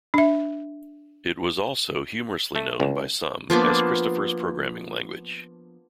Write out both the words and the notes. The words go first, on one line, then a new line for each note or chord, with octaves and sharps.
It was also humorously known, by some, as Christopher's Programming Language.
D4 E5
A3
C#2
F3 A#3 B3 D4